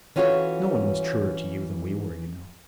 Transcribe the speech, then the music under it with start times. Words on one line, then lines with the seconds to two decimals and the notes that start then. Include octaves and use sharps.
No one was truer to you than we were, you know.
0.16 E3 C#4 F4 F#4 A4 C#5